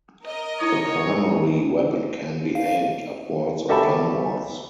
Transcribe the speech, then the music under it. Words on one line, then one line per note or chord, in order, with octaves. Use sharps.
The primary weapon can be "aimed" upwards or downwards.
A#4 D#5
D#4 E4 C#5 D#6
F5
F#4 G4 A4 E5 A5 B5